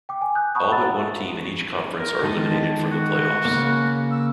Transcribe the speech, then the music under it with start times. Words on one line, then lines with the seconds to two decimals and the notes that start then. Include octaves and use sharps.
All but one team in each conference are eliminated from the playoffs.
0.09 G5 D6
0.22 G#5
0.35 D#6 F#6 G6
0.55 F#5 A5 B5 C#6 D#6 F#6
0.72 E5 F#5 A#5 E6 A6
1.99 A#4
2.23 D#3 G#3 D#5 A5
2.91 F#4
3.45 C#3 A#3
4.11 E6